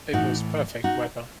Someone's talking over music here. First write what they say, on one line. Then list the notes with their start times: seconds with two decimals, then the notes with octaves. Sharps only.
It was perfect weather.
0.13 A2 E3 D#4 F#4
0.84 D#4 F#4